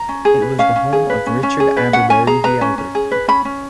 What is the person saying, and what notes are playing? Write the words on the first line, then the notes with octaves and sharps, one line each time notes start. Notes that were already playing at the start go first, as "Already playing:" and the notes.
It was the home of Richard Abberbury the Elder.
Already playing: A#5
C#4
G#4
B4
C#4 F5
C#4
G#4
B4
C#4
C#4
G#4
B4
C#4 F#5
C#4 G#5
G#4 A#5
B4 A#5
C#4
C#4
G#4
B4
C#4 B5
C#4